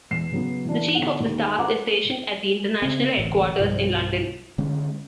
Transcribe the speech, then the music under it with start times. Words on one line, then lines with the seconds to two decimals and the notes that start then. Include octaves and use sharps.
The Chief of the Staff is stationed at International Headquarters in London.
0.11 E2 C7 E7
0.31 C#3 F#3 B3
0.65 E3 D4
0.95 D3 B3 F#5
1.20 D#2 D#4
1.59 F4 A4 B4 F#5 A#5 D6
2.82 C#3 C4
3.17 D1 A1
3.59 B1 G2 F3
4.58 D3 G#3 C#4